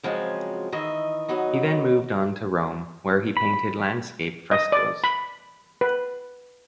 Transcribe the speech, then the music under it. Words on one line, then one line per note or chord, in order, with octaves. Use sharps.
He then moved on to Rome where he painted landscape frescos.
C#3 F3 F#3 G#3 C4
D#3 E3 D#5 E5
D#3 F#3 B3 D#4
B5
D#5
D5
B5
B4